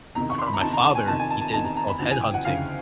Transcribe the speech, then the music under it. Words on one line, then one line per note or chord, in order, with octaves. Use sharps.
I found my father, he did what's called headhunting,
E2 C3 D#3 A#5
C#6
C6
B5
A#5
E2 C3 D#3 A5
A#5
A5
G#5
E2 C3 D#3 A5
G#5
A5
A5
E2 C3 D#3 A5
A#5
A#5
B5
D2 C#3 E3
G#5
G5
F#5
D2 C#3 E3 F5